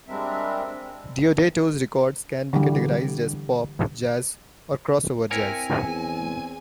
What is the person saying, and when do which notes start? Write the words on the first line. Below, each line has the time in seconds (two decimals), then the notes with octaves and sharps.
Deodato's records can be categorized as pop, jazz or crossover jazz.
0.08 G3 G#3 C4 D4 A#4 E5
2.53 D3 E3 G3
5.31 C4 E4 A#4 C#5 G#5
5.84 E2